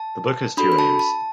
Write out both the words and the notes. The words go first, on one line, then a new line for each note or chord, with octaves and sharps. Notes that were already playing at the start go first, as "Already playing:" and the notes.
The book has two aims.
Already playing: A5
D4 F#4 A4 B5
B5
A5
A5